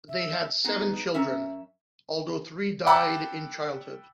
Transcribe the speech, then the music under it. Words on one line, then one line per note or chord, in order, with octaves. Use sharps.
They had seven children, although three died in childhood.
E5
B3 D#4 G#4
F#2 C#4 E5
F#5 G5 A5 B5 D6 E6